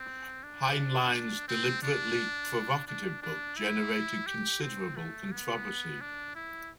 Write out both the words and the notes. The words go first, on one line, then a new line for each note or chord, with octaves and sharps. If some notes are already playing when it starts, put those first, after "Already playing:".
Heinlein's deliberately provocative book generated considerable controversy.
Already playing: C4
D4
C4
D4
D4
D4
E4
G4
C4
A3
B3
D4
E4